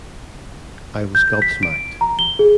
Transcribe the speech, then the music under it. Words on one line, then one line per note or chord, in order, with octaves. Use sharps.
I was gobsmacked.
G6
B6
D7
A#5
G7
G#4